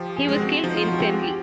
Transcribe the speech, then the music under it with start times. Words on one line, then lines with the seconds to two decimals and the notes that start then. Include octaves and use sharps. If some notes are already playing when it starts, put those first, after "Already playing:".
He was killed instantly.
Already playing: F3 G4
0.16 G#4
0.29 G#3 C4
0.40 F#4
0.63 F3 D#4
0.76 F4
0.87 F#4
0.98 G#3 C4 G4
1.22 G4